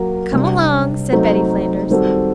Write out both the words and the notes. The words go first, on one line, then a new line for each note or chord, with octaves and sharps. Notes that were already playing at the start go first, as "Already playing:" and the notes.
"Come along," said Betty Flanders.
Already playing: F#3 A#3 F#4 A#4
C3 G3 D4
F#3 A3 C4 D#4
D#3 G3 C4 F#4 A4